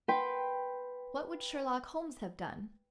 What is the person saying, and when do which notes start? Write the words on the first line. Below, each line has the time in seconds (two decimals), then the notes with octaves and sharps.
What would Sherlock Holmes have done?
0.08 B4 G5 C6